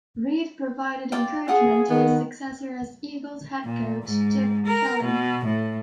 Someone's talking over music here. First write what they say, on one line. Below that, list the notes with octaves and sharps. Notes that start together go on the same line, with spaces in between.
Reid provided encouragement to his successor as Eagles head coach, Chip Kelly.
F4 D5 G5
F4 G#4 F#5 D#6
D#3 B3
A#2
G#2
A#4
B2
A2